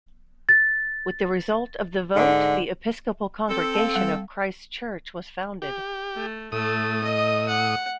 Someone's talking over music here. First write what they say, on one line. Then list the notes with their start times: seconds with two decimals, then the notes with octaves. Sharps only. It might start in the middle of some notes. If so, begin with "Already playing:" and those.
With the result of the vote, the Episcopal congregation of Christ's Church was founded.
0.49 A6
2.16 G#2 D3
3.49 C4 A4
3.74 F5 A5
3.94 G3 F#5
5.62 G4
6.15 A3
6.52 A2 A3 D#6
7.03 D#5
7.49 F#5